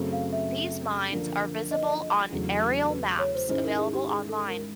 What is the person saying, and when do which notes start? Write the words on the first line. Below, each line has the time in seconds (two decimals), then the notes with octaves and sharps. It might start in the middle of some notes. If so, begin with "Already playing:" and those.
These mines are visible on aerial maps available online.
Already playing: F#2 C#3 F#3 A3 C4
0.13 F5
0.32 E5
1.12 D3 F3 A#3
1.71 D#5
2.31 E2 C#3 F#3 A3 D4
2.90 B4
3.19 C#5
3.35 C5
3.49 G#2 D#3 G#3 C#4 E4 C5
3.63 A#4
3.78 G#4
3.93 G4
4.08 G#4
4.29 A4
4.48 A#4